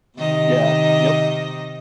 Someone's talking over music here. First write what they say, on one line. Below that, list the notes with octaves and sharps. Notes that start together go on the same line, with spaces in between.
Yeah. Yep.
C3 D#3 D#5